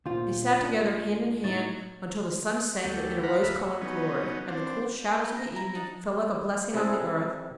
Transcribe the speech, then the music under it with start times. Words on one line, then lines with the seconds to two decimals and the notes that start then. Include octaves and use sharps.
They sat together hand in hand until the sun sank in a rose-coloured glory and the cool shadows of the evening fell like a blessing on the earth.
0.06 D2 A#2 F4 C5
0.65 D4
1.44 A2 F#3 D#4 A6
2.85 D2 F#3 A3 G4
3.23 F5 F#5 A#5 B5
3.43 D2 B4 E5 F5 B5
3.57 F#3
3.81 F#3 B3 C#4 D#4
4.48 C4 D4
5.24 G4 B4
5.36 A#5
5.52 E4 A#5
5.75 D4 D#4
6.74 C3 G3 E4 G#4 A4